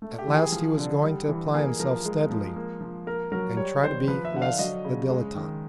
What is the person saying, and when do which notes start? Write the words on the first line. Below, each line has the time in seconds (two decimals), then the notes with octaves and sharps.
At last he was going to apply himself steadily and try to be less the dilettante.
0.02 A3
0.18 G4
0.27 E3
0.36 G#4
0.52 F3
0.78 D3
1.04 G3
1.28 E3
1.54 A#3 G#4
1.80 F3 A#4
2.05 G#3
2.30 F3
2.56 A#3
2.81 F3
3.07 A#3 A#4
3.32 F#3 A#4
3.57 G3 C#5
3.83 D#3 C5
4.08 F3 B4
4.25 E5
4.34 D3 F#5
4.42 F5
4.59 F#3 D#5
4.85 C#3
5.10 G#3
5.35 D#3